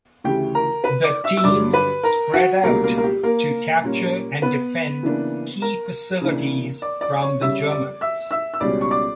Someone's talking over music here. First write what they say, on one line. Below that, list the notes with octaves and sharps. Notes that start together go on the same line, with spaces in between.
The teams spread out to capture and defend key facilities from the Germans.
D2 C#3 E3 G4 G5
A#4 A#5
B4 B5
D5 D6
E5 E6
E6
G2 D3 F#3 D5 D6
B4 B5
A#4 A#5
F#4 F#5
C#2 B2 G3 A#3 A#4
A#3 A#4
A#4
G4
A#3 A#4
A#2 G3 C#4
B3 B4
C#3 E3 A#3 D4
A#4 A#5
C#3 E3 A#3 D4
D5 D6
D5 D6
C#5 C#6
C#3 G3 C#4 E5 E6
D5 D6
E5 E6
E5 E6
E6
C#2 B2 G3 C#4 D5 D6
C#6
D5 D6